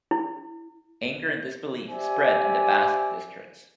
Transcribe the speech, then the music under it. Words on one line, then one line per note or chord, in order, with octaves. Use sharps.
Anger and disbelief spread in the Basque districts.
E4
G4 C5 D5 E5 G#5